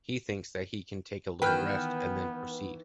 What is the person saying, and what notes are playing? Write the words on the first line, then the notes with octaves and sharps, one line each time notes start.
He thinks that he can take a little rest and then proceed.
D#3 E3 B3 B4 G5 F6 G6